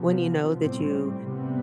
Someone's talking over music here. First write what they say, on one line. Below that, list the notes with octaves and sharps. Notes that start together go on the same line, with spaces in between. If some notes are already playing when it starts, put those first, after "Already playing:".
when you know that you
Already playing: C3 F3 B3
A2 G3 C4
C3 G3 B3